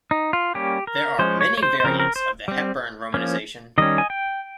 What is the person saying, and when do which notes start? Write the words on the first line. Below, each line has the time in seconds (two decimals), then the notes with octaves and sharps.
There are many variants of the Hepburn romanization.
0.11 D#4
0.33 F4
0.54 G3 A#3 C#4 G4
0.87 A#4
1.19 F3 G#3 C#4 C5
1.41 C#5
1.57 C#5
1.63 C5
1.80 C5
1.84 C#3 F3 C4 A#4
2.00 A#4
2.16 C5
2.48 G3 C4
3.14 F3 A#3 C#4
3.78 D#3 G3 C#4 D#5
3.98 G#5
4.10 G5